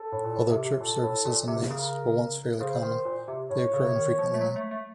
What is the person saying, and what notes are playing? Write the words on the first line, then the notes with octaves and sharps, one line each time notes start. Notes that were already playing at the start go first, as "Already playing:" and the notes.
Although church services in Manx were once fairly common, they occur infrequently now.
Already playing: A4
A2
A#2
A2
C3
C3
A#2 A4
A2
A#2
C3
C#3 A#4
C#3 C5
D#3
A#2
C3
A2 C#5
C#3
C3
D#3
F3
A3
F#3
A3
A3